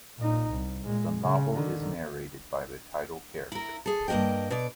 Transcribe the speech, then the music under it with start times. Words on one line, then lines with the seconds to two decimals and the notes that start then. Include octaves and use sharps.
The novel is narrated by the title character.
0.18 A#2 D#4
0.50 C2
0.84 A#2 G#3
1.22 C#3
1.54 D3 D#3
3.52 E4 A#4
3.86 G#4 A4
4.08 G2 A#3 A#4 D#5 G5
4.51 B2 D5